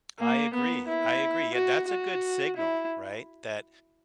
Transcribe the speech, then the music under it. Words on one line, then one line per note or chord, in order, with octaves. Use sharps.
I agree, I agree, yeah, that's a good signal, right? That
A#3
B3
E4
F#4
F#4
E4